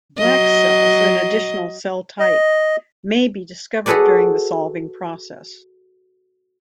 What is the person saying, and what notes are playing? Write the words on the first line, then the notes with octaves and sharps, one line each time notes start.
"Black" cells, an additional cell type, may be discovered during the solving process.
F#3 D#5
D#5
F#4 G#4 A4 B4 C#5 D5